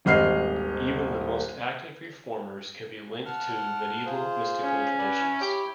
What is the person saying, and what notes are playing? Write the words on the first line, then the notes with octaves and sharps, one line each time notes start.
Even the most active reformers can be linked to Medieval mystical traditions.
D#1 G#1 D#5 F6 C7
F#5 A5 F6
F4 G#4 C5
C#4
B4 D5 F#5
E4 C#5 B5
G4